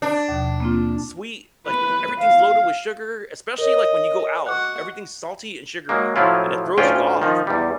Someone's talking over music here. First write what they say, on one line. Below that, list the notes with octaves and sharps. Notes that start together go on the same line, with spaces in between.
sweet, like, everything's loaded with sugar, especially, like, when you go out. Everything's salty and sugary, and it throws you off.
D4
D#2 B2 F3
A#3 C4 F4
B4
F5
A#4 C#5 D#5
F#4 F#5 C#6 D6 F#6
F#3 G#3 A#3
A2 F3 F#3 E4 F4
D2 A2 C#4 F4 D5 G5
D#3 F3 D#4
E2 G3